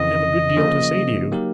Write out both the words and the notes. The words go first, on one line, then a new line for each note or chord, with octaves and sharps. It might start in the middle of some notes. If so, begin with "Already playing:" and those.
I have a good deal to say to you.'
Already playing: F2 C#3 E3 D#5
C#3 F3 A#3
F#3 A#3 D#4 G4 A#4